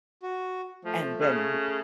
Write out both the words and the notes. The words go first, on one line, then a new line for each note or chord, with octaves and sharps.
and then, w
F#4
F3 A3
C#3